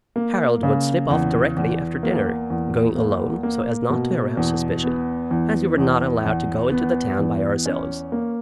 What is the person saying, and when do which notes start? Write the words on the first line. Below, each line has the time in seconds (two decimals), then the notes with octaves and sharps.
Harold would slip off directly after dinner, going alone, so as not to arouse suspicion, as we were not allowed to go into the town by ourselves.
0.16 A#3
0.63 C#3
1.10 E2
1.56 E2
2.03 A#3
2.50 E2
2.96 A#3
3.43 A#3
3.90 B2
4.37 E2
4.84 B3
5.31 E2
5.78 E2
6.25 E2
6.71 B3
7.19 E2
7.66 C#4
8.12 A#3